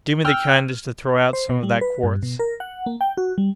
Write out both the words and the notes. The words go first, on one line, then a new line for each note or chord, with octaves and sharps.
"Do me the kindness to throw out some of that quartz!"
G5 E6 F6
C5
B2
G3
B4
G2
B2
A#4
F#5
A#3
G5
F#4
G3